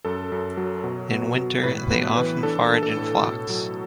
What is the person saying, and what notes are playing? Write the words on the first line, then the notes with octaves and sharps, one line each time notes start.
In winter, they often forage in flocks.
F#2 A4
F#2
F#3
B2
B3
B2
A2 B4
B3 B4
E3 B4
D4 A4
D4
A4
A2
B2
F#3